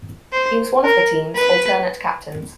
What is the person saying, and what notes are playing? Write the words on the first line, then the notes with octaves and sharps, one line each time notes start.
He was one of the team's alternate captains.
C5
A#4
B4